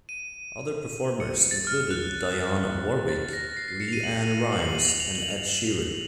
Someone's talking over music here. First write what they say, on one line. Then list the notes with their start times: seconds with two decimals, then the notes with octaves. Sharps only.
Other performers included Dionne Warwick, LeAnn Rimes and Ed Sheeran.
0.09 D#7
1.20 C#7
1.51 A6
1.67 F6
1.91 F#6
3.09 A6
3.33 A#6
3.57 C7
3.68 C7
3.80 C#7
3.88 F7
3.93 D#7
4.04 F#7
4.53 F#7
4.64 F#7
4.75 F#7
4.88 F7
5.00 F7
5.15 F#7
5.31 F7
5.48 F#7